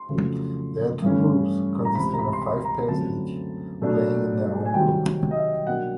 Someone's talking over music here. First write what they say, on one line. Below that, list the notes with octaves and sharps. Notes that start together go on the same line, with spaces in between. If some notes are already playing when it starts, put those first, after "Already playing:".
There are two groups consisting of five pairs each playing in their own group.
Already playing: C6
F2 C#3 F#3 A3
G2 E3 A3 C#4
A#5
C#2 C3 E3 B5
A#5
B5
C6
B5
A#5
F#2 D3 F#3 A3 C4 A5
B2 F#3 A3 D4
G#5
C2 C3 D#3 F#3 G5
D#5
E5
B2 F#3 A#3 D4 F#5